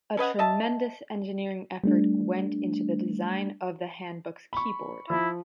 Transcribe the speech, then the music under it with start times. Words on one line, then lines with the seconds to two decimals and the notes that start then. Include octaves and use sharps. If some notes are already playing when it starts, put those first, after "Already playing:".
A tremendous engineering effort went into the design of the HandBook's keyboard.
0.17 C#4 B4 D#5 F#5
0.39 D#5 E5 A5
1.84 G3 A3 D4
4.53 B5 C#6
5.10 F3 E4